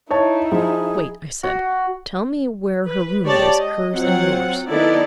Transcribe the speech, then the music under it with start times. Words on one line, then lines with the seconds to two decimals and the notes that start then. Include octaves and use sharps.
"Wait," I said, "tell me where her room is, hers and yours."
0.11 D#4 E4 C#5 A5
0.52 F3 G#4
1.43 F#4
2.85 B4
3.23 G#3 G4 C#5 D5 A5
3.55 D#5
3.92 F#3 C4 F4 F#5
4.69 D#3 B3 D#4 E4 A4 D5